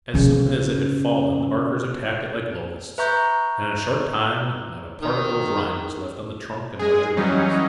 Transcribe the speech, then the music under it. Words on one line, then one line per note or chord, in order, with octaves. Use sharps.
As soon as it had fallen the barkers attacked it like locusts, and in a short time not a particle of rind was left on the trunk and larger limbs.
C#3 C#4
B4 E5 A#5 C#6 G6
D#3
G#3 G#4
E3 F#3 G3 C#4 D#4